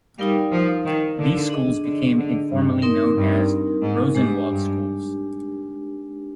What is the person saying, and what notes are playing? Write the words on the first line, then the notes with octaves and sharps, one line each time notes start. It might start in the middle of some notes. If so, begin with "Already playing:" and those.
These schools became informally known as Rosenwald Schools.
G3 D#4 A#4 F5
F3
D#3
D3
D4 G#4 D#5
D3
D3
G2
C4 D#4 A#4
G2
G#2
G#2 G#3 D4 G4
G2